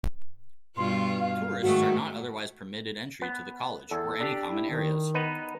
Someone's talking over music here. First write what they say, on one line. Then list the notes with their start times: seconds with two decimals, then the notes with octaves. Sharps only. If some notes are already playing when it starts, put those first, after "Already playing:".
Tourists are not otherwise permitted entry to the college or any common areas.
0.77 G2 B2 F4 C6
1.20 F5
1.62 G#2 D#3 A3 F#4
3.22 B3
3.91 E2 A4
4.20 D4 G4
4.49 E4
4.70 D#3
5.15 B3 D#4 B4